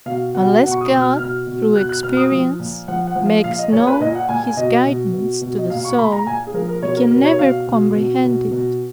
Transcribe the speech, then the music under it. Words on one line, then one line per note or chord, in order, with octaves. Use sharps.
Unless God through experience, makes known His guidance to the soul, it can never comprehend it.
B2 F5
B2 F#5
B2 F#5
C#6
D#6
B2
F6
B2 F6
B2
B2 F#6
F#6
B2 F6
D#6
F3
A#2
F3 F#5
F#5
F3
F5
A#2 F5
D#5
A#2 C#5
B4
A#2 D#5
F#5
A#2 G#5
G#5
B2 D#5
B2
B2
B2
D#5
A#2 F5
C#6
A#2 B5
A#5
A#2 G#5
G#4
F3 A#4
A#4
B2 C#5
A#4
B2 A#4
C#5
B2 F5
B2
B2
B2
B2